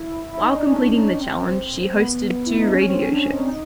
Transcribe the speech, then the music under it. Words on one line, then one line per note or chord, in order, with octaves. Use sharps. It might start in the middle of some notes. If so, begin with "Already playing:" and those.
While completing the challenge she hosted two radio shows.
Already playing: E4
E4
D#4
D4
C#4
C4
B3
E4
D#4
D4
C#4
C4
D4
D#4
D#4